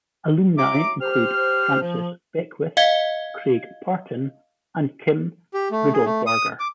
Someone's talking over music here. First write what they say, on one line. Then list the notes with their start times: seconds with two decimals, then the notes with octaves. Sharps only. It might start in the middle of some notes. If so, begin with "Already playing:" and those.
Alumni include Francis Beckwith, Craig Parton and Kim Riddlebarger.
0.58 F#3 E5 A#5 D6
1.00 G4 C5 F6
1.81 F3
2.77 D#5 F5 G#6 G7
5.54 G4
5.72 A3
5.94 G#4
6.05 A3
6.27 D#6
6.60 D6